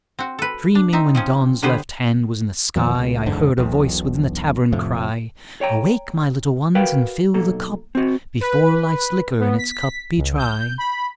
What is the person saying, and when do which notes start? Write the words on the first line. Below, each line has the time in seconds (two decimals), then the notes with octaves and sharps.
Dreaming when Dawn's Left Hand was in the Sky I heard a Voice within the Tavern cry, "Awake, my Little ones, and fill the Cup Before Life's Liquor in its Cup be dry."
0.19 C4 F#4
0.39 A4 B4
0.75 D4
0.93 C4 D#4 E5
1.15 F3 C4 C#4
1.62 D3 G3 B3 G#4 B4 C5
2.76 F2 D#3 F3 B3
2.95 C#2 A#2
3.26 F#1 E2 G#2 D3
3.58 E1 B1
4.72 F2 A2 C3 F3
5.61 C#5 G5 A#5
6.75 F#4 A#4 B4 F5 G5
7.34 B1 A#3 A4 A#5
7.95 C4 F#4
8.41 B4
9.40 B3
9.58 B6
10.17 C#2
10.38 G6
10.78 B5